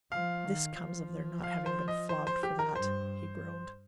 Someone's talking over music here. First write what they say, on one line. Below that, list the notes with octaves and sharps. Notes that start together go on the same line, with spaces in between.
"This comes of their not having been flogged for that!" he groaned.
F3 F5
D#3
F3
F5
C5
D#5
C5
C5
G4
A#4
G2 C5